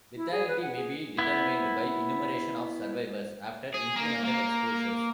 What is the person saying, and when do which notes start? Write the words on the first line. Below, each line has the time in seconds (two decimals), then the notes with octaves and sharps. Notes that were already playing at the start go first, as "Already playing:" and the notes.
Lethality may be determined by enumeration of survivors after incremental exposures.
0.16 E4
0.31 G#4
0.48 B4
0.62 F#5
0.75 G#4
1.18 B3 E4
3.74 G#4
3.96 A#3
4.24 A#3